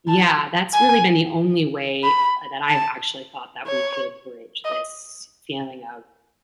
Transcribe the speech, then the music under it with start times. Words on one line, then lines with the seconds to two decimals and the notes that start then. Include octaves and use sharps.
Yeah, that's really been the only way, uh, that I've actually thought that we could bridge this feeling of,
0.09 A5
0.74 G#5
2.04 B5
2.70 A5
3.67 C#5
4.65 D#5